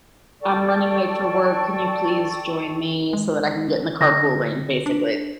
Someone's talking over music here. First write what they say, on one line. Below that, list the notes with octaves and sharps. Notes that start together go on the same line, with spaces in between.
I'm running late for work, can you please join me, so that I can get in the carpool lane," basically.
A4 D5 G5 C#6
G#3
D3 A#6
D4